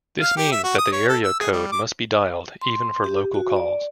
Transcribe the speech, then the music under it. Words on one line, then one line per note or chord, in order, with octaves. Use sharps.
This means that the area code must be dialed, even for local calls.
F5
G4
E5
F#4
D#6
C#5
A4
E6
G#4
G3
D6
C6
G4
F#4
D5